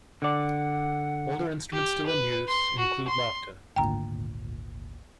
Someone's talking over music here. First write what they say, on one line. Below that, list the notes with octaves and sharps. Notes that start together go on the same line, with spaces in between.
Older instruments still in use include lavta.
D3 D5 F#5
G4
B4
C6
F#4
C6
G#1 D2 A#2 G5 A#5